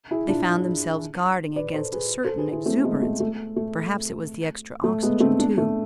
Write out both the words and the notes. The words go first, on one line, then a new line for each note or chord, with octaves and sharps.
They found themselves guarding against a certain exuberance; perhaps it was the extra oxygen, too.
E4 G#4
D4 F4
B4 D5
A4 C5
G#4 B4
A4 C5
G#4 B4
E4 G#4
A3 C4
G#3 B3
A3
A3
A3
A3
G#3 B3
A3 C4
B3 D4
A3